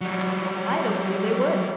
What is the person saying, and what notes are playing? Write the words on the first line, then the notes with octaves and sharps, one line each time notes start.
'I don't believe they would.
F#3 G3